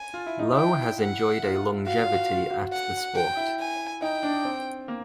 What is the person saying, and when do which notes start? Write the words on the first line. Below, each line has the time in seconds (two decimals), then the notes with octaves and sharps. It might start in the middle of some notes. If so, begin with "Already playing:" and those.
Lowe has enjoyed a longevity at the sport.
Already playing: G#5
0.14 F4
0.26 E4
0.39 D#4
0.52 E4 G5
1.00 F#5
1.43 F4
1.86 F#4 F5
2.00 F4
2.13 F#4
2.29 F4
2.51 F#4
2.73 F#5
3.16 G5
3.37 E4
3.59 G#5
4.02 D#4 G5
4.23 D4
4.45 C4
4.88 A#3